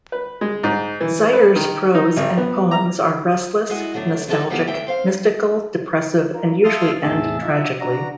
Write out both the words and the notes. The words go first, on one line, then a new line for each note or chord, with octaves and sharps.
Zeyer's prose and poems are restless, nostalgic, mystical, depressive, and usually end tragically.
B4
G#3
G#2
E3
B4
D#3
D#4
G#1
B3
A#5
G#3 E4 F#4 D#5
D3 F#3 A3 C#4 D4
D#2 D#3 A3 D#4 A4 F#5
C#3 F3 B3 F#4 G4
D2 E5 G5
C4 C5 F5
F4 A#4
E5 F5 A5 C6 D#6 F6
E2 A2 C3 G#4 E5 A5
D#4 F4 E5
D4 F#4 A#5